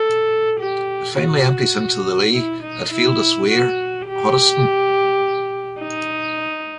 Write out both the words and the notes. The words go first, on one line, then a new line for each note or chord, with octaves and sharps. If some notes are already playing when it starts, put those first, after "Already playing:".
It finally empties into the Lea at Feildes Weir, Hoddesdon.
Already playing: A4
G4
F#4
E4
D#4
E4
F#4
G4
D#4